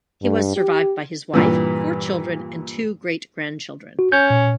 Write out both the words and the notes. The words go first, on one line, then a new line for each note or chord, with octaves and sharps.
He was survived by his wife, four children, and two great-grandchildren.
G2
G4
G2 A#2 E3
F#4
C#4 G6
A#2